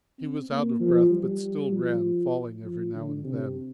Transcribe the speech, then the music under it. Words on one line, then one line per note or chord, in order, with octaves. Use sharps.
He was out of breath, but still ran, falling every now and then.
C4
A#3
F3
G3
F3
F3
D3
C3